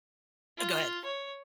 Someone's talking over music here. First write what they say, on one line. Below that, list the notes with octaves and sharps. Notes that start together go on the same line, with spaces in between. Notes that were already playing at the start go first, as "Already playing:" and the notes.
uh, go ahead.
F4
C#5